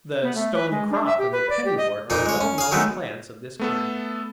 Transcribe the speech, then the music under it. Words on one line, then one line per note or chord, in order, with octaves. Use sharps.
The Stone-crop and the Penny-wort are well-known plants of this kind.
B3
A3
B4
G#3
D4
E5
G4
B4
D5
G4
D#5
F2 A#2 A#3 D#4
G#3 C#5
C#4
G#4 F5
D#3 F#3 G#3 A3 B3
A3 B3 A4